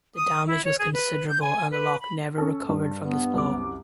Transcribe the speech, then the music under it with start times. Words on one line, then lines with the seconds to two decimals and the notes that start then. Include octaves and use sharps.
The damage was considerable and the lock never recovered from this blow.
0.15 D#6
0.46 E4
0.64 C#5
0.79 G#4
0.93 B4
1.27 G6
1.41 G#5
1.71 B4
2.01 B5
2.38 C#4 A4
2.69 G2
3.05 B3
3.34 C2 F#2 D6